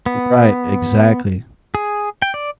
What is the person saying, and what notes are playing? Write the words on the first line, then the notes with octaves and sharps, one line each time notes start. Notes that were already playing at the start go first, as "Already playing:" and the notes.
Right, exactly.
B3
G#4
G5
D5